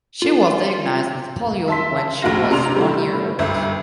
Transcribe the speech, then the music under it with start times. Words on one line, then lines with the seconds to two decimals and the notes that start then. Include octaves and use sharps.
She was diagnosed with polio when she was one year old.
0.22 F4
1.68 E5 A5 C6 B6
2.22 A#1 D#2 A2 F#4 F5 A#6
2.51 C3 D4 A#5 C6 F7
2.76 G3 A3 E4
3.39 G1 C2 E5